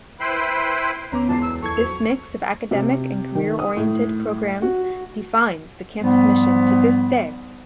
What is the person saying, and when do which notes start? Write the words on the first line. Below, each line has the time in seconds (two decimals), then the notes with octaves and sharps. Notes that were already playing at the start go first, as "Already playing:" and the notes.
This mix of academic and career-oriented programs defines the campus mission to this day.
0.20 E4 B4 C5 G5 B5 C6
1.12 D2 B3 C#4 A#5 D6
1.28 E1 E2 A5 C7
1.42 E6
1.62 E2 E3 A4 C#6 G#6
1.77 F#3 C4 F7
2.71 C3
3.35 D#3
3.59 D#6
3.77 A2
4.62 F#4
6.00 G#2 F3 G3 B3